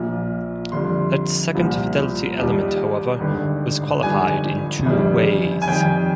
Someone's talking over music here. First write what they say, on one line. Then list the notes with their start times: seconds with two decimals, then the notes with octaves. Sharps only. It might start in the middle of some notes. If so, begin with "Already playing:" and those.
That second fidelity element, however, was qualified in two ways.
Already playing: A#1 A#2 F3
0.72 F2 D3 G3 C6
1.55 C2 A#2 F3
2.38 D#2 D#3 G3
3.20 G#1 G2 D3
4.02 G#1 G2 D3 F3 G#5
4.85 G1 F2 D#3 G3
5.62 G#5
5.68 F2 D#3 G3 G5